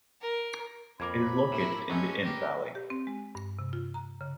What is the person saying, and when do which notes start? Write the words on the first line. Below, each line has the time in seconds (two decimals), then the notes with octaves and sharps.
It is located in the Inn valley.
0.22 A#4
1.00 F2 A#3 C4 A#4 A#5 B5 D6 G#6
1.52 A2 E4 A#4
1.89 F#3 G#3 A3 C#4
2.23 G4 A#4 B4 A#6
2.75 G4
2.90 C4
3.07 G#3
3.35 G2
3.59 C3
3.73 F4
3.94 A#5
4.21 C#3